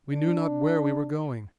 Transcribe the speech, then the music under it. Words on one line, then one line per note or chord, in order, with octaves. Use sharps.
We knew not where we were going.
D4